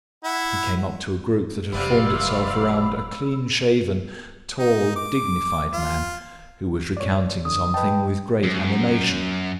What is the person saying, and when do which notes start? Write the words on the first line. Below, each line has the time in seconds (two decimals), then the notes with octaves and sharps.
He came up to a group that had formed itself round a clean-shaven, tall, dignified man, who was recounting something with great animation.
0.24 E4 F#5
1.72 F1 C3 F#3 B3 D5 F5 B5 E6
4.59 D#4
4.96 D6
5.73 F4
6.97 C#5 D5
7.45 D3 D#6
7.74 B4 D#5 G5 A5
8.43 F#2